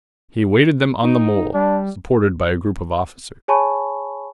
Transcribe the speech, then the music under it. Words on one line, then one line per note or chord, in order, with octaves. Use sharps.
He awaited them on the mole, supported by a group of officers.
D#4
G3 D4
G#4 C#5 G#5 A5 B5 C#6